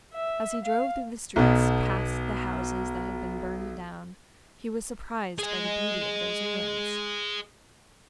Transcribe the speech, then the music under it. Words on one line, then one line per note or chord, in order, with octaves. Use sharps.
As he drove through the streets past the houses that had been burned down, he was surprised by the beauty of those ruins.
E5
F5
B1 B2
G#4 D#5